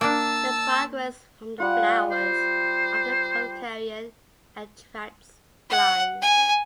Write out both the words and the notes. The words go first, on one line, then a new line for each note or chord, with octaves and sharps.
The fragrance from the flowers, often called "carrion", attracts flies.
A#3 D4 A5 E6
G3 F4 F#5
C5
F#5
G#5